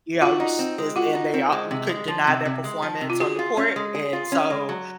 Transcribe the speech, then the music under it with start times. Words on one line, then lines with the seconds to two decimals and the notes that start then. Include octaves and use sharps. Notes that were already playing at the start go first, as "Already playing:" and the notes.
you know, your s it's and they ar you couldn't deny their performance on the court. And so,
0.22 F4 F#4
0.40 D#4
0.59 C4
0.78 G#3
0.96 F4 F#4
1.15 D#4
1.34 C4
1.52 G#3
1.71 C3
1.89 G#3
2.08 F3
2.27 C3
2.45 C3
2.64 G#3
2.82 F3
3.01 C3
3.10 F4
3.20 F#4 G#4
3.39 F4
3.57 C#4
3.76 G#3
3.95 G#4
4.13 F4
4.32 C#4
4.50 G#3
4.69 F#3